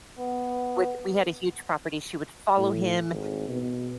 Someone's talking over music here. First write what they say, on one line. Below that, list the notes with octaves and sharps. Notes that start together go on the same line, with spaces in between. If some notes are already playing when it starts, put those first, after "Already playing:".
would we had a huge property- she would follow him,
B3
A2
G#1
B2